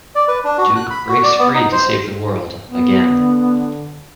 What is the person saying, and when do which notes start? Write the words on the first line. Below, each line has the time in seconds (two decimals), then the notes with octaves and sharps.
Duke breaks free to save the world, again.
0.15 D5
0.28 B4
0.44 D4
0.58 F#4
0.76 F#6
0.91 B5
1.09 F#4
1.24 D5
1.39 B3
1.54 D#4
1.72 C5
2.68 B3
3.10 D3